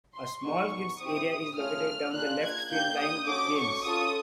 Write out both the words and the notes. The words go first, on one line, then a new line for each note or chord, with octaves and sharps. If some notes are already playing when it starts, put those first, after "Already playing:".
A small kids' area is located down the left-field line with games.
C6
B3 D#4 G#4 C#6
C4 E4 G4 D#6
A3 C#4 F4 G#4 F6
A#3 D4 F4 G#4 F#6
G#6
A#3 D4 G4 G6
D#6
C#4 F#4 A4 D6
C#6
C#4 F4 A4 D#6